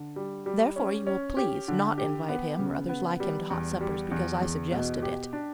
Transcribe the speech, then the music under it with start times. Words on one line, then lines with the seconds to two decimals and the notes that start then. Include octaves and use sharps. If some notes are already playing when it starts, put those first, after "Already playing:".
Therefore you will please not invite him or others like him to hot suppers because I suggested it.
Already playing: D3
0.16 G3
0.46 G3
0.76 C#4
1.07 C#4
1.37 G4
1.68 D3
1.98 G4
2.29 B3
2.59 C#3
2.89 B3
3.20 G3
3.50 E2
3.81 G3
4.11 E2
4.41 E2
4.72 B2
5.02 G4
5.33 D4